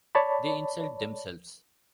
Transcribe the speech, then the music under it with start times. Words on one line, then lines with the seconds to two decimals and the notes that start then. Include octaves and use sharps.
They insult themselves.
0.15 C#5 D5 A5 B5